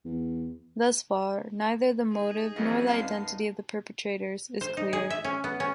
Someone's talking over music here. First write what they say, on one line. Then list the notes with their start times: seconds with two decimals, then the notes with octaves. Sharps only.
Thus far,neither the motive nor identity of the perpetrators is clear.
0.05 E2
2.11 D#4 G#4
2.56 F2 E3 F#3 A#4 D#5
2.87 F#2 G3 B3 D#4 F5 A5 C7
4.61 C5
4.77 D#4
4.93 G#4
5.10 E5
5.24 C#4
5.44 B3
5.60 C#4